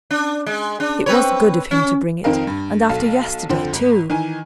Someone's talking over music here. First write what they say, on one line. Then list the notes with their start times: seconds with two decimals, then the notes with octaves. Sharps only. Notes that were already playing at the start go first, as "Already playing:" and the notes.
It was good of him to bring it; and after yesterday too!
0.11 D4
0.46 G#3
0.80 D4
1.06 C4 B4 C#5
1.71 C#4
2.24 F2 D#3 C4 D#4 A#4 F5
2.47 G2
2.89 B1 A4 F5
3.49 F2 D3 F3 C5
3.73 G#1
4.10 D#3 E3 G#5